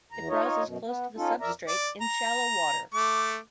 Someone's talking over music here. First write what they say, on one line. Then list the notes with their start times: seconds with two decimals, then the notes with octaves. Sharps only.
It browses close to the substrate in shallow water.
0.12 E2 A#5
0.29 D#4 F4 C#5 D#5
0.63 F#2 B2
0.86 B3
1.17 C#4 D#4 F4 A4
1.41 F2 A#4 D5 E5 A#5
1.68 D5
2.01 A#5
2.94 A3 D6